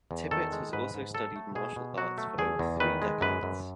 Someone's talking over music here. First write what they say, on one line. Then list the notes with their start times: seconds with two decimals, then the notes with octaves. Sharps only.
Tippett has also studied martial arts for over three decades.
0.11 E2
0.31 D#3 A4
0.52 G#3
0.73 G#2 B4
0.94 G#2
1.14 F#3 A4
1.36 A3
1.55 B2 G#4
1.76 B2
1.97 F#3 F#4
2.18 A3
2.38 E2 G#4
2.59 E2
2.80 D#3 B4
3.02 G#3
3.21 F#2 B4
3.43 F#2